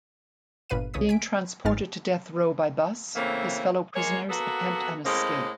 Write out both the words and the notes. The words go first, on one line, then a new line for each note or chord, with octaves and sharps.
Being transported to death row by bus, his fellow prisoners attempt an escape.
G1 A#2 B4 F5 D#7
C2 C#3 E3 C#5 D#6 B6
G#5 B6 D7
G#1 G#2 B3 D#4 F6 A6
C#3 E3 A3 A#3 C4
G#3 A#3 G#4 C#5
A#3 B3 F#4 A4 B4
A2 G#3 A#3 C4 C#4